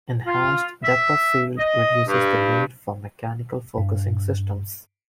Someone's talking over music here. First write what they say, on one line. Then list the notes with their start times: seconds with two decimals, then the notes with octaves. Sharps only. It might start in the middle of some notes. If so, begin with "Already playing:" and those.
Enhanced depth-of-field reduces the need for mechanical focusing systems.
0.26 F4
0.83 E5
1.58 D#5
2.07 G2
3.78 G2